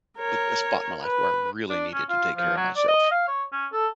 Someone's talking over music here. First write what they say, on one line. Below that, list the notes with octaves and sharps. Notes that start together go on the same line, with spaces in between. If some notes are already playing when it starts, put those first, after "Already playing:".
a a spot in my life where I really needed to take care of myself,
A#4 C#5
B4
D4
C#4
F4
F3
F#3
D5
D#5
F5
C#5
C#4
A4